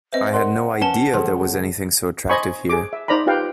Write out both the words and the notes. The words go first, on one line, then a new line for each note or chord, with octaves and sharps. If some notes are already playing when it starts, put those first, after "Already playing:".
I had no idea there was anything so attractive here.
C4 B4 C5 D#5 E5
A#4 D5 F#5 C6
C#4 B4 A5 G7
C#2 F3 G#4 A4
C5 D#5 G#5 B5 C#6
G#4 D6
E5
D#4 C5 D5 A#5 B5
F4 G4 B4 F5 G5